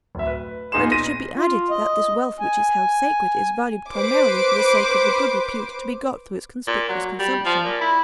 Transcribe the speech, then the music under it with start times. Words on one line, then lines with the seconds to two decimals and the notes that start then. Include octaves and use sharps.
And it should be added that this wealth which is held sacred is valued primarily for the sake of the good repute to be got through its conspicuous consumption.
0.15 D1 E5
0.27 B4
0.72 A#2 B3 D#4 G#4 C6 E7
0.92 A#6 D#7
1.37 F4
1.70 D#5
2.40 G#5
3.92 B4 C5 D6
6.67 A#2
6.89 F#3
7.19 G3
7.45 F3
7.64 A#2
7.81 E4